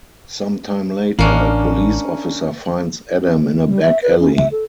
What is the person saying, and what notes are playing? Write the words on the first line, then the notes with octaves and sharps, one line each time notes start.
Some time later, a police officer finds Adam in a back alley.
A1 A#3 C#4 D4
G3
E5
B4
C#4
E5
A4